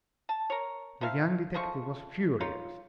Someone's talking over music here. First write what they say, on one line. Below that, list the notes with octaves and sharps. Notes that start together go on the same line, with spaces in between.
The young detective was furious.
A5
A#4 C#5
F3 D#4 E5 F5
F3 G#3 A3 C#6
D#4 F4 C#5